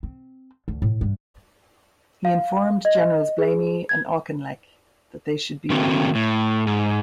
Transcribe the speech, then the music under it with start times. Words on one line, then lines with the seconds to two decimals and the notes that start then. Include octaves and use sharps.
He informed Generals Blamey and Auchinleck that they should be relieved.
0.03 C4
0.68 D2
0.82 A2
1.01 G2
2.25 F5
2.85 D#5
3.38 G#4
3.89 G#6
5.70 D#3 A3 A#3 C4 F#4
6.15 A2
6.67 G#2